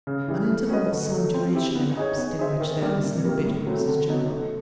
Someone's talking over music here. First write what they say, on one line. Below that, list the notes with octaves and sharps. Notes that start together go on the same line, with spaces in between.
An interval of some duration elapsed, in which there was no bid for Mrs General.
C#3
E3 G3
A3
C#4 F#4 B4 D#5
D3
F#3 A3
C4
E4 G4
B3
D#4 G#4 C#5
B3
D#4 G#4 C5 E5
D#3
G3 A#3 D4 G4
C3
D#3 G3 A#3
A2
F#3 A3 C4
D3
F#3 B3 D#4
A3